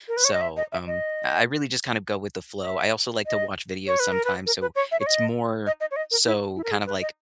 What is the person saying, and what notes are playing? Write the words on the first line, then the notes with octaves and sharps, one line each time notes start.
So, um, I really just kind of go with the flow. I also like to watch videos sometimes, so it's more so kind of, like,
A#4
B4
C#5
D#5
E5
D#5
E5
D#5
D#5
E5
D#5
C#5
B4
A#4
B4
A#4
B4
C#5
E5
C#5
D#5
D#5
D#5
C#5
D#5
A#4
E4
E4
A#4
G#4
B4
D#5